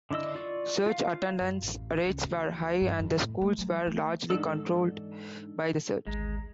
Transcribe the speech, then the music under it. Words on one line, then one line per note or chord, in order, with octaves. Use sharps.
Church attendance rates were high, and the schools were largely controlled by the Church.
D3 D4 E4 D#5 E6
F4 D5 C#6
F4 F5
F#2
A1
C#2
D2
G2
F2
A2
A3
F#3
A3
F2 G#2 E3 D4 D#4 A4 E6
G#1 D2 G#3 A#5